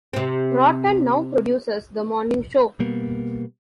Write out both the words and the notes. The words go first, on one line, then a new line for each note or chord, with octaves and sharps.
Roten now produces the morning show.
C3 C4
B2 G3 A#3 B3